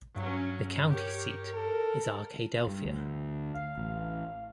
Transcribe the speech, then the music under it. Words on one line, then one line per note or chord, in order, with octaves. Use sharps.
The county seat is Arkadelphia.
G2 F#3 C#4
G4 A#4 C#5
A4 A#4
G2
D2
F5
A1